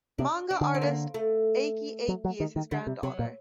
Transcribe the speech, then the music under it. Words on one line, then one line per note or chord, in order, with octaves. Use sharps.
Manga artist Eiki Eiki is his granddaughter.
C3 D4
D4
D3
C4
A#3
A3
F#3
F#3
D#3
D#3
D3 G3
C3
C3 F#3
A#2